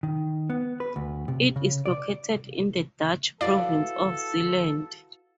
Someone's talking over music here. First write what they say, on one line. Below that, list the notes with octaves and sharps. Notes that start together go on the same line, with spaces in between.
It is located in the Dutch province of Zeeland.
D#3
B3
B4
D2
C3
C#3
D5
E4 F#4 A4 B4 D5 F5